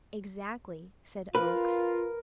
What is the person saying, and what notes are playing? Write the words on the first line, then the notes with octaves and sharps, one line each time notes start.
"Exactly," said Oakes.
F4 A#4 B4